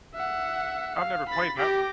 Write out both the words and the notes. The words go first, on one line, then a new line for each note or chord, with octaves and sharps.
I've never played that one.
E5 F#5
F5
B5 A6
G4 D6 A#6